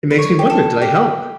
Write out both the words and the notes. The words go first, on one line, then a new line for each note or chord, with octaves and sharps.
It makes me wonder, "Did I help?"
B4
C#5
G4
A4
G4